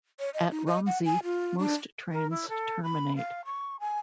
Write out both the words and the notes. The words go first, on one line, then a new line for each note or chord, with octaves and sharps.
At Romsey most trains terminate.
C#5
D#5
D#4
D#5
F#5
G#5
F4
D4
A#4
E4
A4
B5
F5
C#6
G#5